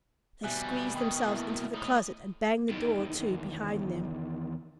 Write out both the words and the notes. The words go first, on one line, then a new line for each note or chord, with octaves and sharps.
They squeezed themselves into the closet, and banged the door to behind them.
B2 G3 E5 G#5 F#6
B2 D#3 G5 B5 D#6
A#3 E4 E5
A2 D#4
E2 D#3